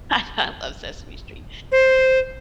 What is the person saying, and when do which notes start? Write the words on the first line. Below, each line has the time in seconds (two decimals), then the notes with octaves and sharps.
I I love Sesame Street.
1.72 C5